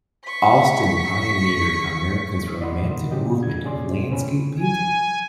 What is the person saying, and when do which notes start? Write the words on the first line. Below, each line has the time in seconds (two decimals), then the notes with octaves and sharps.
Allston pioneered America's Romantic movement of landscape painting.
0.25 C#6 B6
2.61 D5 D#5 F#5 B5 C6
2.90 D#3
3.11 C#3 F#3 G4 D#5
3.40 D3 G#6
3.63 A2 C3 C#4 G#4 D5 C6
4.08 D#2 A2 C4 C#4 B5
4.59 G#5